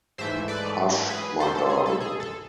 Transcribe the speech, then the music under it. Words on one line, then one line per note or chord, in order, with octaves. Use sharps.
Hush, my darling!
G#2 E3 A3 C5 E5
B4 D5
G#4 B4
A4 C5
A4
G#4
A4
G#4
A4